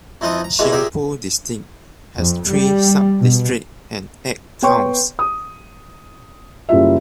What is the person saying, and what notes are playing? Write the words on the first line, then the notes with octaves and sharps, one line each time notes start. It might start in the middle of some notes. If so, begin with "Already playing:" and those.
Qingpu District has three subdistricts and eight towns.
F2 E3 F3 D#4 F4 D#6
A#5
B2 E3 G3 G#3 A#3
A#2 G4 G#4 A#4 E5
F2
G3
B2
B3 C#5 G5 C6 C#6
D#6
F#1 G3 E4 F4 E5